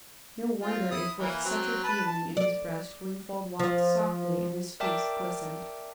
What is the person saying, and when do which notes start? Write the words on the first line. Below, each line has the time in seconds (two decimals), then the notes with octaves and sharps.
No wonder if with such a feeling in his breast Wingfold walked softly, and his face glistened!
0.62 C4 F4
0.91 E4 D#6
1.19 E3 A#3
1.45 F#3 C4
1.83 B4 A5
2.07 A5
2.37 D5
3.59 F3
4.80 A#4 D5 E5 G5 A5 D6